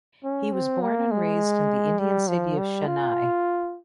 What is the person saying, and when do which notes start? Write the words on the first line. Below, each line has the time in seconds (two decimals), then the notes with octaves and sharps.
He was born and raised in the Indian city of Chennai.
0.24 C#4
0.53 C4
0.82 A#3
1.11 G#3
1.99 G3
2.28 F3
2.58 G3
2.87 F4